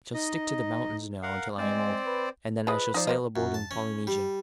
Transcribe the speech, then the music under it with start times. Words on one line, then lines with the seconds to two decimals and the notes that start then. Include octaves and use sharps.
I shall stick to the mountains now until I am old, and then I shall sail a boat in Polynesia.
0.14 D#4 D#5
1.23 A#4 F5 F#5
1.58 G#3 C4 C5 D5
2.06 B4
2.67 F3 G#4 B4 D#5
2.94 F3 D#4 D5
3.07 A#3 C5 D#5
3.36 F#2
3.54 A5
3.71 C#4
4.07 G3